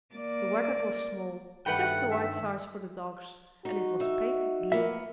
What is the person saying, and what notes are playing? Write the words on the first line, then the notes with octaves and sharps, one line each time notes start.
The wagon was small, just the right size for the dogs; and it was painted blue.
A#3 D5
G2 D#3 G3 A3 B4 F#5 G5
E5
D#4 F#4
D#4 E5
A#3 B3 E5